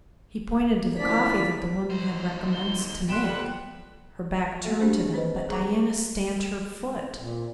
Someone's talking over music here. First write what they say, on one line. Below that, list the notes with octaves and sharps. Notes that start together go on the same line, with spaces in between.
He pointed to the coffee that the woman had recommenced to make, her back turned to them, but Diana stamped her foot.
D2 F3 A#3 C#4 E4 D5 B6
D#2 C5
G7
B2 B4 G5 C6 F#6 E7
F2 G3 F#5
G3 A#3 F#4 A4 E5
A#3 C4 D4 G4 G#4 C5
C4 B4 C5 D#5
C5
G#4 A#5 C#6 D6
A#2